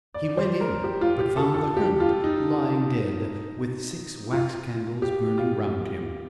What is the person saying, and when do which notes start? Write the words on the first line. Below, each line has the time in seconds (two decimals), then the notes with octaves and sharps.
He went in; but found the hermit lying dead, with six wax candles burning around him.
0.14 D5
0.37 C5
0.61 A#4
0.84 G4
1.01 F4
1.19 G4
1.37 A4
1.54 A4
1.77 G4
2.00 F4
2.24 D#4
4.33 F4
5.02 G4
5.38 F4